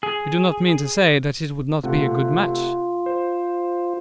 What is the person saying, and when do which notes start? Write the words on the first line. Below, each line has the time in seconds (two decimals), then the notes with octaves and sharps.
"You do not mean to say that it would not be a good match?"
0.03 G#4
1.83 C3 A3 F4 F#5
3.06 C5